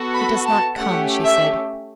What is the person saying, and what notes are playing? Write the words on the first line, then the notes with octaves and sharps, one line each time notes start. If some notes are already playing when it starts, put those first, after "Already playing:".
"He does not come," she said.
Already playing: B3 F#4 A4
B5
A5
A3 C#4 G4 F#5
E5